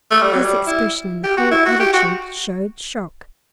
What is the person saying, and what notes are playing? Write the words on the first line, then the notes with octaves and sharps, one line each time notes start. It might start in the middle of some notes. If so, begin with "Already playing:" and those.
His expression and whole attitude showed shock.
A3
G3
F#3
G3
E4
G4
F#4
E4
F#4
G4
F#4